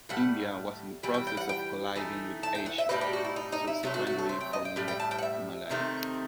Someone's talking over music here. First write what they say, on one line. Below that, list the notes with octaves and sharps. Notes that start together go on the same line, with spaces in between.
India was in the process of colliding with Asia, subsequently forming the Himalayas.
A2 G3 F#5
E3 G3 G5
G5
G5
F#5
G5
E3 A3 D#4
A5
G5
F#5
E5
A2 E3 G3 D#4 B4
G4
F#4
E4
D#4
D#4
E4
C3 F#3 A3 E4
F#4
F#4
A4
C5
G5
D#5
G5
A2 G3
G5
A5
G5
F#5
E5
C3 D#3 A3 C4